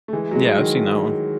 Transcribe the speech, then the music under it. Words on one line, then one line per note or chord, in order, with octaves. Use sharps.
Yeah, I've seen that one.
A3
E3 G#3
F#3
E3 G#3
D#3 F#3